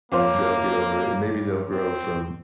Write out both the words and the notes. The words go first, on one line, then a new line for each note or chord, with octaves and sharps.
they'll get over it, and, maybe they'll grow from
F2 A#3 F4 C5 C#5 F5 D6
C4